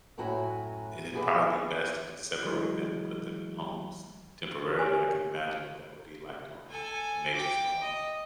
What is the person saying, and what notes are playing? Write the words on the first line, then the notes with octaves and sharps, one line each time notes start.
and it'd probably be best to just separate them, and put them in homes temporarily, I can imagine what that would be like during a major storm.
F#2 A2 F#3 F#4 E5 G#5
B3 G4 G#4 B4 E5
E3 F#3 G#3
G4 A#4 C#5 G#5
A4 G#5
G5 D6
D#5